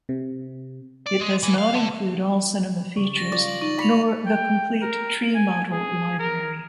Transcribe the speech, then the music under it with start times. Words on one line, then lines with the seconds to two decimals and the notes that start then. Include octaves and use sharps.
It does not include all Cinema features, nor the complete Tree Model Library.
0.09 C3
1.06 D5
1.20 G#3
1.43 E3
1.58 F5
1.74 D3
2.96 C#3 G3 D5 C#6
3.16 E3 A6 A#6
3.32 F4 D5
3.48 F#7
3.61 D#4 C#6
3.79 B5 D6 C#7 F7
4.26 G5
4.82 A#4
5.35 G#5
5.72 G#4
6.19 A#4